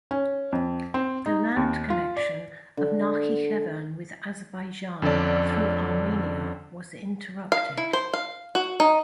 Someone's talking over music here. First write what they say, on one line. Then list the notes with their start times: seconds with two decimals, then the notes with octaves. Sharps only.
The land connection of Nakhichevan with Azerbaijan through Armenia was interrupted.
0.11 C#4
0.52 F2
0.94 C4
1.26 D#4
1.56 D#2
1.90 F4
2.17 D5
2.77 D3
5.02 F2 D3 C#4 A4 D5
7.52 F5
7.78 E4
7.93 C5
8.14 F5
8.55 F#4
8.80 D#4